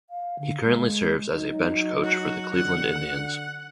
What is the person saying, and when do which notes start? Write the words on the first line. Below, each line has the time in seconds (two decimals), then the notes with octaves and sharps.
He currently serves as a bench coach for the Cleveland Indians.
0.10 F5
0.39 D3
0.65 G#3
1.37 F#3 D#4
2.04 F#4
2.55 D3 F#5